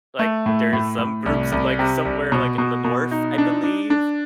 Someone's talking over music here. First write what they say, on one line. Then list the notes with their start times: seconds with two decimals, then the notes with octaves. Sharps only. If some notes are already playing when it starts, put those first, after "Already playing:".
like, there's some groups in, like, somewhere like, in the North, I believe.
0.19 A3
0.46 A2
0.73 A2
0.99 A2
1.26 C2
1.52 C2
1.79 C3
2.05 C2
2.32 B2
2.58 B2
2.85 B2
3.11 D#4
3.38 D4
3.64 D4
3.90 D4